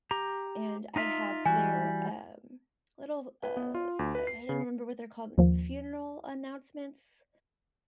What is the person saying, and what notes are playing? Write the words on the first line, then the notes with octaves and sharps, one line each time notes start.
and I have their, um, little, uh, I I don't remember what they're called, funeral announcements,
G4 A#5
D#4 F4 E5
E3 G3 F#4 G#5
B4
B3
F4
D2
B4
C7
C#3
D#2 F3 A#3